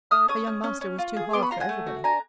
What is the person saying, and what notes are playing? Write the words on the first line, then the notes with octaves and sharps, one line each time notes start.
Her young master was too hard for every body.
A3 D#6 F6
C#4 C#6 D#6
C#4
C#4
C#4
F4
G#4
B3 C6 D6
B5 C#6
F4 A#5 C6
F#5 G#5
A3
F#4
D4 G#5 A#5